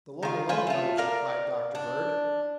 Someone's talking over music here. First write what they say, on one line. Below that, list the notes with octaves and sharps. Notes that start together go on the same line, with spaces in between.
"The Lord alone knows," replied Dr. Bird.
D#3 F4
F4 B4 C5 G#5
A3 F4
A#4 D5 F5
D4